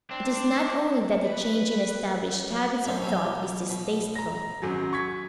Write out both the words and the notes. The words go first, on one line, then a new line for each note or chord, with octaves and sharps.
It is not only that a change in established habits of thought is distasteful.
C4 D4
B4
F#2 D3 C4
B2 F#3 G3
B2
A#5 A#6
G#1 F#2 F#3
C#6 G#6 B6